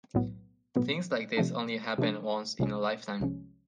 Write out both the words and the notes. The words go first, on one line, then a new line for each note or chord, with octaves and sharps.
Things like this only happen once in a lifetime.
B1 A2 F#3 B3
B1 A2 F#3 B3
C3 F3 A3 D4
C3 F3 A3 D4
C2 C3 F3 G#3 C#4
C2 C3 F3 G#3 C#4